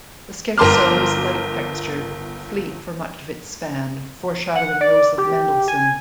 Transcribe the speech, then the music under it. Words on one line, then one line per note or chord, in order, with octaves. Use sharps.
The scherzo is light-textured, fleet for much of its span, foreshadowing those of Mendelssohn.
G1 A#4 A5 C6 D6 F6
F#5
D5
G4
G#5